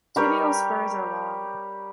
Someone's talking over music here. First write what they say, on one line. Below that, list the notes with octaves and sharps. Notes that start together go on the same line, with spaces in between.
Tibial spurs are long.
G3 G4 A#4 C#5